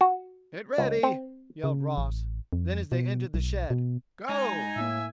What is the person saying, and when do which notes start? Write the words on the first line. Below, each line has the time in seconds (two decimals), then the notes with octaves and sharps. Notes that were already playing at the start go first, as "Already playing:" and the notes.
"Get ready," yelled Ross; then, as they entered the shed, "Go!"
0.01 F#4
0.78 C#2
1.03 C4
1.64 C#3
1.98 A1
2.53 F2
2.92 B2
3.34 B1
3.70 B2
4.29 G#3 D#4 G#5
4.76 A2 A#3 E5